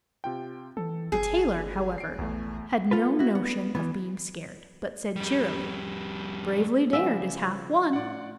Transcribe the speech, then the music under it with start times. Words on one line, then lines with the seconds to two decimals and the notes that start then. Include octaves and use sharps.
The tailor, however, had no notion of being scared, but said cheerily, 'Bravely dared is half won.'
0.24 C3 F4 G5
0.77 E3 A4
1.12 G1 G#4
1.98 C7 D7
2.19 A#1 E2 A3
2.91 B3 F4 A4 B4
3.19 E4 F#4
3.35 B3
3.75 E3 B3
5.16 F2 G3
6.93 C#3 F3 G3 B4 E5 F5 G#5
7.93 A2 D5 F#5